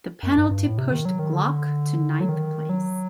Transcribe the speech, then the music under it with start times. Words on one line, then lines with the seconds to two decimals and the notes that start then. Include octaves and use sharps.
The penalty pushed Glock to ninth place.
0.23 F#2
0.38 G2
0.51 G2
0.64 A2
0.78 C3
0.92 D#3
1.05 F#3
1.19 D#3
1.33 D3
2.21 F#3
2.29 D#3
2.69 F#3